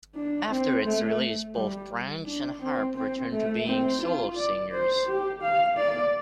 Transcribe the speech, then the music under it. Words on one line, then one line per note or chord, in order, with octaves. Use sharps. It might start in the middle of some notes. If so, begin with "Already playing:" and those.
After its release, both Branch and Harp returned to being solo singers.
D4
C4
A3
G3
D4
C4
C4
A3
C4
F4
D5
C5
G4
F5
D5